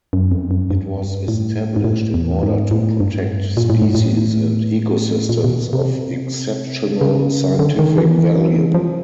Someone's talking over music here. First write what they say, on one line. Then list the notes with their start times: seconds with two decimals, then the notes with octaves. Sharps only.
It was established in order to protect species and ecosystems of exceptional scientific value.
0.13 F#2
0.31 F2
0.51 F#2
0.71 G2
1.28 A2
1.76 G#2
1.84 A2
2.14 E2
2.43 G#2
2.71 A2
3.00 G2
3.57 A#2
3.70 A2
3.82 G#2
3.95 A2
5.29 A#2
5.44 B2
5.73 C3
7.01 C#3
7.59 D3
7.79 D#3
7.98 E3
8.74 F3